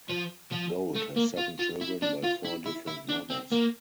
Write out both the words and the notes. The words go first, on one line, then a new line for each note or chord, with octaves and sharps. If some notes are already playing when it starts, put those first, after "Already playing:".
Gold has seven children by four different mothers.
F3
F3
A3
A#3
F4
F4
E4
D4
F4
E4
E4
E4
D4
C4
A#3